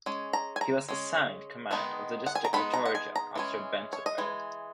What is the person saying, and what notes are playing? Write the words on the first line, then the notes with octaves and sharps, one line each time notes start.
He was assigned command of the District of Georgia after Bentonville.
G#3 C#4
A#5
G#5
A#5
G#3 C#4
D#3 G#3 B3 D#4
F#5
G#5
A#5
D#3 G#3 B3 D#4 B5
A#5
F#5
G#5
A#5
E3 G#3 C#4
C#5
D#5
E3 G#3